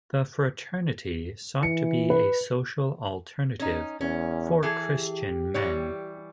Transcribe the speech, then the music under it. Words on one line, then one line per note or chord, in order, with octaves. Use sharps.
The fraternity sought to be a social alternative for Christian men.
E3 C#7
B4
C#4 D#4
E2 C#4
E3 G#4 A4
G4
E3 G3 C#5